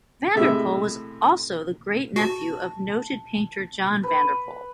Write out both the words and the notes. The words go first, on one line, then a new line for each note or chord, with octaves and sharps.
Vanderpoel was also the great nephew of noted painter John Vanderpoel.
A2 C3 G#3 E5
F#4 A5
B4